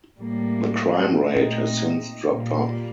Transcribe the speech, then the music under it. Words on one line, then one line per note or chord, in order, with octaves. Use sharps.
The crime rate has since dropped off.
A2 G3 A#3
A#2 A3 C4 D#4
A#2 G3 A#3